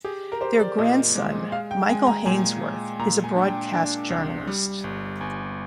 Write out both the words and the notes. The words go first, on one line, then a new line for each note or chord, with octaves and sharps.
Their grandson, Michael Hainsworth, is a broadcast journalist.
G4 G#4
A#4
G4 C5
D5
A#2 D#5
G#3
G#3 F5
G5
G#3 G#5
A#5
A#2 G#5
G#3
A#2 A#5
G#5
D4
G5
D4
C2
G3
G1
G1 G#5